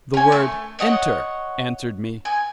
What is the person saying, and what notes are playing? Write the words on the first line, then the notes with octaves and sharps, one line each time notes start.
The word "Enter!" answered me.
C#4 G#5
A3
C#5 D#5 F#5
G#5